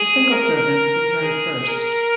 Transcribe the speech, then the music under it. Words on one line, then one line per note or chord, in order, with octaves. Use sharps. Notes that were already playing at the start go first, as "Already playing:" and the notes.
The single servant returned first.
Already playing: G#4
A#4
G#4
A#4